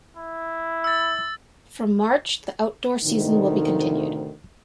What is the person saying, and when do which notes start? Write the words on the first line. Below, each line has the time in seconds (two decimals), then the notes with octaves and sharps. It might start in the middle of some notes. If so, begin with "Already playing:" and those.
From March the outdoor season will be continued.
0.17 E4
0.84 E6 A6
3.04 D2 A2 C3 D#3